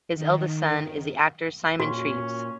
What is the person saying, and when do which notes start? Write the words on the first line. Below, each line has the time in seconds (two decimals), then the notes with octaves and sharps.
His eldest son is the actor Simon Treves.
0.16 D#3
1.80 A#2 C#4 F#4